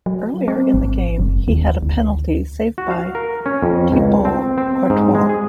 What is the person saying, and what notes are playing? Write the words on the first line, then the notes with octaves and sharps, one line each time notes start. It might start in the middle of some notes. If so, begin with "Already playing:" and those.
Earlier in the game, he had a penalty saved by Thibaut Courtois.
F#3
C4
G#1
F#1
D#2
D2
F#4
F5
A#4
C#4
F2
C#2
C4
C4
G#2
G#3
G#4